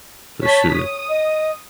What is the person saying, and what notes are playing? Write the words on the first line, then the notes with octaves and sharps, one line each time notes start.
For sure.
C#5 A5 B6
D#6
D#5